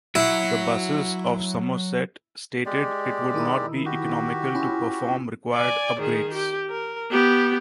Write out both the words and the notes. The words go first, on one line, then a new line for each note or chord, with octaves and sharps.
The Buses of Somerset stated it would not be economical to perform required upgrades.
F#3 E4 F#4
G#3 G4 D5
D#3 D#4 E4
F#4 G4
C#4 E4 F4
D5 G#5
D#3 G#4
G4
A#4
B3 G4